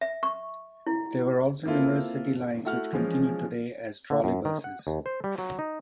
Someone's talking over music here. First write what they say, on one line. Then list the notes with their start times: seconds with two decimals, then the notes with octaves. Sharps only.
There were also numerous city lines, which continue today as trolleybuses.
0.01 E5
0.23 C#6
0.87 E4
1.66 A#3 C4 E4 F4 A4 A#4
2.65 A3 E4 F#4 F#5 F6
2.93 E3 F3 G#3 C#4 F4
4.10 D3
4.24 F#2
4.45 D#3
4.64 F#5
4.87 D#2
5.06 C5
5.24 G3
5.38 F#3
5.59 D#4